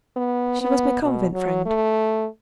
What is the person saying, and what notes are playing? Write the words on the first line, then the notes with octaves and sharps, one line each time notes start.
"She was my convent friend."
B3
B3
B2
F#3
A3